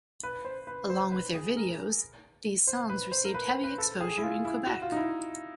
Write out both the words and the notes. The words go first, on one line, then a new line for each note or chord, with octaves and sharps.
Along with their videos, these songs received heavy exposure in Quebec.
B4
C5
B4
C5
B4
G#4
A#4
C5
B4
C5
A#4
B4
C5
B4
A4
G#4
E4
F4
E4
F#4
F4
D#4
E4